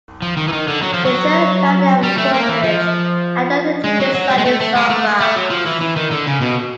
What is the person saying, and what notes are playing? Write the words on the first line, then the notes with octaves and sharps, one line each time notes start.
The third pioneer of corporate identity design is Saul Bass.
F3
D#3
E3
D#3
D3
F#3
F3
F#3
G3
A3
A#3
E3
F3
G#3
F#3
F#3
G3
G#3
A3
A3
G#3
A3
A3
F#3
F3
E3
E3
D#3
D3
C#3
B2